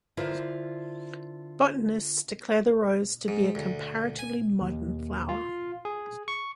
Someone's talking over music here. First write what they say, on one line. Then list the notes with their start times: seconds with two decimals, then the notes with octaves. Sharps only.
Botanists declare the rose to be a comparatively modern flower.
0.17 D3 E4 F4 A#4 C5
3.28 G#2
3.55 D2
4.19 G#5
4.61 D#2
5.29 F4
5.85 G#4
6.28 C#6